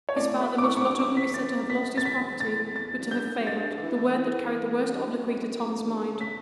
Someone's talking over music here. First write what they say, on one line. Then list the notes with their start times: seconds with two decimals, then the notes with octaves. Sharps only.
His father must not only be said to have "lost his property," but to have "failed,"--the word that carried the worst obloquy to Tom's mind.
0.09 C#5
0.16 A2 D5
0.40 B2 E5
0.58 D6
0.64 A2 C#6
0.77 C#6
0.81 D6
0.87 G2
0.99 D6
1.11 E2
1.17 B6
1.34 F#2 A6
1.63 E2
1.69 F#2 B6
1.97 A6
2.05 E2 B6
2.40 E2 A6
2.72 F#2
2.76 E2 A6
3.00 G2
3.11 G6
3.40 F#2
3.47 G2 A6
3.77 D3
3.82 E3
4.17 E3
4.88 G2
5.12 F#2
5.35 F#2
5.58 E2
5.78 A2
5.82 G2
6.07 C#3
6.21 B6